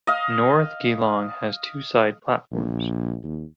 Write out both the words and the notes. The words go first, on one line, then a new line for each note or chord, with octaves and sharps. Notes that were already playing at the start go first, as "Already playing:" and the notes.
North Geelong has two side platforms.
D#5 F5
A#1
D#2